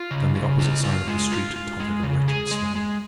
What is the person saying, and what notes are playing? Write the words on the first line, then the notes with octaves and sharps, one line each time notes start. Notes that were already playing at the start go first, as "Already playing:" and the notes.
Down the opposite side of the street tottered a wretched slave.
Already playing: F4
C#3
C#3
F4
F4
G#3
F4
F4
G#3
C#3
G#4
G#3
G#3